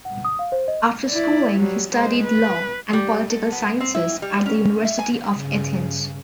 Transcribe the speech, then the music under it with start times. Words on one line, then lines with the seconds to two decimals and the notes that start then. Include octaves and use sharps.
After schooling he studied law and political sciences at the University of Athens.
0.05 F#5
0.25 D#6
0.39 F5
0.52 C5
0.68 D#5
1.10 E4 D5
1.58 F#3 G3
1.92 G#3 C5
2.23 B4
2.93 G3
3.30 A4
3.52 B3
3.80 C4
3.95 E4
4.22 G3
4.46 C#4
4.85 E5
4.99 G#5
5.36 G2 C#3